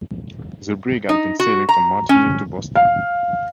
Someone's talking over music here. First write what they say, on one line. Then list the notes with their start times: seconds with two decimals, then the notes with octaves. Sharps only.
The brig had been sailing from Martinique to Boston.
1.09 D#4
1.40 F#4
1.69 A#5
2.09 C#4
2.75 F5